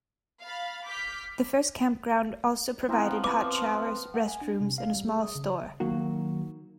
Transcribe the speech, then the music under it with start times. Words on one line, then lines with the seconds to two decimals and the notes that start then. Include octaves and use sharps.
This first campground also provided hot showers, restrooms, and a small store.
0.42 F5 B5 A6
0.87 D6 F6 G6 B6
2.89 F3 B3 C4 E4 A#5
3.24 B4 D6
4.14 F#5
4.28 G#5
4.42 D4
4.61 C3
4.78 F5
4.94 G3
5.08 G#4
5.22 D#6
5.35 C#3
5.80 D#3 F#3 A#3 F#4